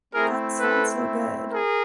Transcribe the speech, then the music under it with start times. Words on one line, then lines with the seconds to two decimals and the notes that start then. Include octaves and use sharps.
That sounds so good.
0.12 A3 C4 E4 G#4 A#4
0.60 A4 B4
1.52 G#4 A#4